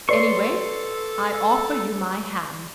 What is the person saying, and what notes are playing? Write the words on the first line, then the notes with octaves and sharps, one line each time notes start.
Anyway, I offer you my hand.
A4 B4 C#5 D5 C6 C#6